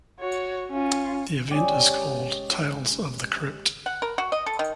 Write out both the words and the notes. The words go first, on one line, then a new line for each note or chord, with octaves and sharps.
The event is called "Tales of the Crypt".
F#4 C#5
C#4 F4
G#3 C#4 G4 D5
F#5
A#4
F#4
D#5
A4
D#3